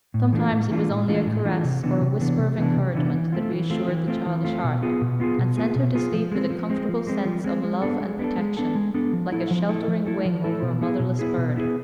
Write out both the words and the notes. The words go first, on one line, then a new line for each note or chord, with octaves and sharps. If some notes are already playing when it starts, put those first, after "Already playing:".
Sometimes it was only a caress or a whisper of encouragement, that re-assured the childish heart, and sent her to sleep with a comfortable sense of love and protection, like a sheltering wing over a motherless bird.
A2
E3 A3 D4 F4
A2
E3 A3 D4 F4
A2
E3 A3 D4 F4
A2
E3 A3 D4 F4
C3
E3 B3 D4
C3
E3 B3 D4
C3
E3 B3 D4
C3
E3 B3 D4
E3
A3 C4 F4
E3
A3 C4 F4
E3
A3 C4 F4
E3
A3 C4 F4
B2
B3 F4 G#4
B2
B3 F4 G#4
B2
B3 F4 G#4
B2
B3 F4 G#4
F3
G#3 C4
F3
G#3 C4
F3
G#3 C4
F3
G#3 C4
G#3
B3 D4 A4
G#3
B3 D4 A4
G#3
B3 D4 A4
G#3
B3 D4 A4
F3
A3 E4 A4
F3
A3 E4 A4
F3
A3 E4 A4
F3
A3 E4 A4
B2
B3 E4 G#4
B2
B3 E4 G#4
B2
B3 E4 G#4